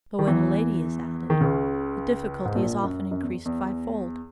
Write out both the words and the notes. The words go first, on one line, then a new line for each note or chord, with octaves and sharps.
But when a lady is added, the difficulty is often increased fivefold.
D#3
E2 E3
D#3
C#2 C#3
G#2
A#1 A#2
F#2
F#2
E2
E2